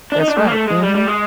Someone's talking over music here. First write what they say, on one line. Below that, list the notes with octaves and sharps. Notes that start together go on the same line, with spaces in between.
That's right. Mhm.
D4
D#4
D4
A3
A#3
A3
G#3
G3
G3
G#3